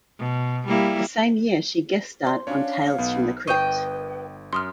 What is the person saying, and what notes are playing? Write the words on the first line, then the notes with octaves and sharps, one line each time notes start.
The same year, she guest starred on "Tales from the Crypt".
B2
G3 A#3 E4
C5 D5 C6
C#4 D4 C#5 F5
B1 B3
G1 B4 D#5 G5 C#6 G6
F#2 C6 D#6 F6